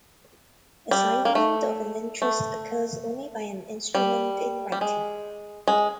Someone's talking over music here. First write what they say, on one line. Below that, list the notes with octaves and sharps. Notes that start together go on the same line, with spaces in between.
Assignment of an interest occurs only by an "instrument in writing".
G3
A#3
A3
A3
G3
G3
G#3
G#3